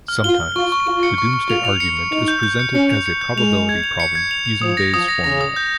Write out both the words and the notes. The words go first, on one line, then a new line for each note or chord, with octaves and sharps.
Sometimes, the Doomsday Argument is presented as a probability problem using Bayes' formula.
F6
F4 G7
F6
F4 C#6
C#6
F4 C#6
C#7
C#6
C#6
F4 F7
F7
C#7
C#7
D#4 F7
G6
G6
C#7
C#4 C#7
F7
C#7
G6
G#3 F7
F7
G#6
F7
C#7
G#6
F7
F7
F3 D#6
A#6
F3 D#6
A#6
C#3 A#6
D#6
G6